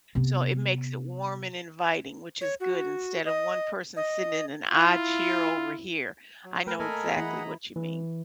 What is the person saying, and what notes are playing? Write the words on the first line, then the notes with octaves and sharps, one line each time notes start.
So, it makes it warm and inviting which is good instead of one person sitting in an odd cheer over here. I know exactly what you mean.
C3 B3
C#5
F#4
D#5
D#5
E4 F4
F#3
A3 A#4 B4 G5
A#3 A4 A#4 D#5 G#5 A#5 B5
E3 E4 G#4 F#5
E3